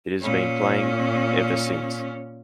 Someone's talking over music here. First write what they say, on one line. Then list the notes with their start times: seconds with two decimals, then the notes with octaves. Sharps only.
It has been playing ever since.
0.22 A#2 C#4